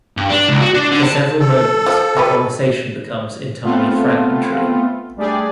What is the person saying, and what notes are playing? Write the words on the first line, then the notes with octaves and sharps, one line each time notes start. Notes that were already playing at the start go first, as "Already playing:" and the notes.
For several moments the conversation becomes entirely fragmentary.
G2
D4
C#2
F#4
D4
D3
A5
A4
F3
F#3 G4 B4
A3 B3 C4 F4 A4
G3 A3 D4 G4 G#4 D5